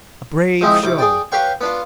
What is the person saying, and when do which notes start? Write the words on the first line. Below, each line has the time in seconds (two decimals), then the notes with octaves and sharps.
A brave show.
0.61 F3 G#3 C4 D#4 E4
0.83 C2 D6
0.98 G#4 D5 G5
1.32 G4 B4 C#5 F5 G5 C#6
1.61 B3 D4 F4